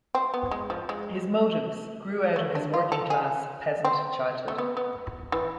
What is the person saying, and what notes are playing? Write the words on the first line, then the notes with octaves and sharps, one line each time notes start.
His motives grew out of his working-class peasant childhood.
C4
B3
G#3
F3
G#3
A3
D4
F4
A4
G#4
C4
A3
B3
B3
E3